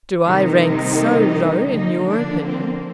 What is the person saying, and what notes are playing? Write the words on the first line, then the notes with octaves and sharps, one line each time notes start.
'Do I rank so low in your opinion?'
C3 D#3 G3 A#3 D#4
D3 F3 A#3 D#4
D4
C4